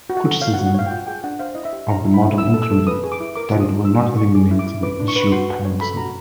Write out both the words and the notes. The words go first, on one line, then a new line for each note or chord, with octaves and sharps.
Criticisms of the model included that it would not eliminate the issue of piracy.
F#4
F#5
A4
C#5 F5
F#5
F#4
F#5
C#5 F5
G5
F4 F#5
G#4 G5
D4 F#5
C5 F5
E4 D#5
E5
G4
C#5 A#5
E4
B5
E4
E4 E6
A4
E6
A4
B4 D#6
G#4
D6
E4
A#4 D6
F4
D#6
D4
D#4 E6
F#4 D#6
D#4 C#6
G#4 D6
E4
D6
E4
B4 D6
D4
C#6
B4
C#6
F#4 C6
F#4
C#5
A4 B5
F#4 A#5